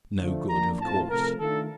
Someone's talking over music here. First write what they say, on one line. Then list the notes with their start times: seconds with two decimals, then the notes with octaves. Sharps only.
No good, of course.
0.18 D3 F3 A3
0.49 F3 A#3 D4 A#5
0.80 A2 A3 C4 F4 A5
1.09 C3 F3 A3 A#4
1.39 D#3 A3 D4 F4 A4